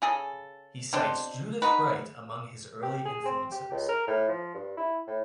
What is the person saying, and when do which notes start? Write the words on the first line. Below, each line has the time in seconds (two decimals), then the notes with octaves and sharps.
He cites Judith Wright among his early influences.
0.02 C#3 G#4 A4
0.93 B2 C4 D4 C5
1.62 D#4 F#4 B4
2.83 G4
3.05 G#4
3.25 C4
3.52 G4
3.72 C#2
3.89 A#4
4.07 A2
4.29 F3
4.54 G2
4.77 E4
5.07 A2